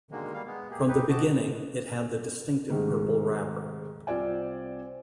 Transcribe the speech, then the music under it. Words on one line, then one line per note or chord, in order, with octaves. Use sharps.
From the beginning, it had the distinctive purple wrapper.
B2 D3 D#3 G#3 A#3
G3 A#3 F5
G#3 B3
A#3 G4 G#4
D#4 G4 B4
F#4 D#5 A5 D6
G#2 C3 D#3 G#3 A3
C2 C4 F4 C5 D5 G#5